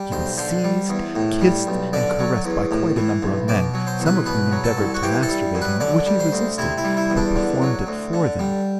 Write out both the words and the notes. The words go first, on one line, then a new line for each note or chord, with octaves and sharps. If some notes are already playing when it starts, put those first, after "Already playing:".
He was seized, kissed, and caressed by quite a number of men, some of whom endeavored to masturbate him, which he resisted, but performed it for them.
Already playing: G3
B1 C5
D3 C5
G3
E2
A2
G3
B1
D3 D5
F#3
E2
A2
E3
B1
B2 D5
F#3
C5
E2
B4
B2 B4
F#3
A4
C2
F#4
E3 G4
A4
G3
F#2
B4
D3 D5
G3
C5
D2
C3 E4
E4
G3
E4
E2
D4
D3
F#3
D2
D3
G3